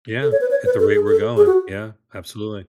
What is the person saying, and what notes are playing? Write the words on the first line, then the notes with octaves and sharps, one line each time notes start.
Yeah, at the rate we're going. Yeah, absolutely.
A4
C#5
B4
C#5
B4
A4
G#4
A4
G#4
F#4